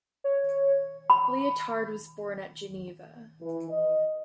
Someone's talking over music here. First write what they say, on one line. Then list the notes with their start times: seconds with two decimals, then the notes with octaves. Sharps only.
Liotard was born at Geneva.
0.24 C#5
1.10 B5
3.41 E3
3.70 D#5